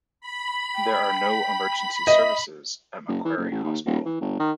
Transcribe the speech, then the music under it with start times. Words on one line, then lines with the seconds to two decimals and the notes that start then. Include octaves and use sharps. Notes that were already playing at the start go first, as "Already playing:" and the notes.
There are no emergency services at Macquarie Hospital.
0.21 B5
0.75 G5
2.07 D#5 E5
3.08 F#1
3.25 E3
3.37 F#1
3.51 A1
3.63 D#2
3.85 D#1
4.05 E3
4.21 G1
4.39 D#3